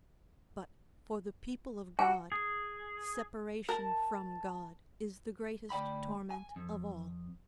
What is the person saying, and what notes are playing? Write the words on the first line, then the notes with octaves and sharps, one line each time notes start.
But for the people of God separation from God is the greatest torment of all.
F#4 G#5
G#4
A#4 A5
D2 D5 G5 B5
G#5
F2